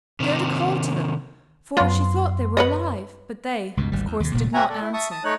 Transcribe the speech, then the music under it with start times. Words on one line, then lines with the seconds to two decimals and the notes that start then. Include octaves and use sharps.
Gerda called to them, for she thought they were alive; but they, of course, did not answer.
0.20 C3 D#3
1.77 F#2 F3 B3 F4 C6
2.57 B4 C#5 D#5
3.77 C#2 G2 B2
3.92 G#1 D2 G3
4.07 E2
4.20 D#2 C3
4.34 D#1 A#2 C#3 A3
4.53 C4 F#4 E5 F#5 G#5 A#5
4.69 A4 D5
4.81 E4
4.93 E5 A5 C#6 D#6
5.11 A5 D#6
5.24 A3 D#4 C#5 F#6